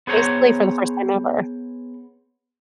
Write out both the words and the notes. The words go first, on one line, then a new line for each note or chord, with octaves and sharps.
basically, for the first time ever.
B3 G#4 C5 C#5 G#5 A#5